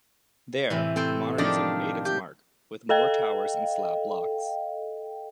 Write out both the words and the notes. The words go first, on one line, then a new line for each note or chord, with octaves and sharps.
There, modernism made its mark, with more towers and slab blocks.
A2 C3 E3
C4 A4 G5
D#3 F3 D4 D5
G4
A4 D#5 F5 G5